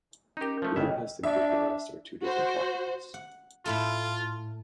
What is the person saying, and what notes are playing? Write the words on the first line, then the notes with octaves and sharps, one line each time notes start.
Budapest and Bucharest are two different capitals.
C#4 D#4 G4 A#4
F3 A3
G1 C#3 D#5 E5 G5
D4 E5
F#4 C5
F#5
A2 E4 F4 A4